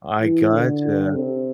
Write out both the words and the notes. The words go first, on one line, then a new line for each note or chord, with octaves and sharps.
I gotcha.
E3
D3
C3